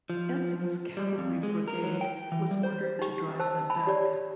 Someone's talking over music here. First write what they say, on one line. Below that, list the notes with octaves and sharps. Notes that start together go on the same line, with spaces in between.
Anson's cavalry brigade was ordered to drive them back.
F3
G3
F2
G#3
A#4
F#3
G5
E3
G3
C5
D#4 G4
C5 A5 E6
A5 B5
G4 C#5 D5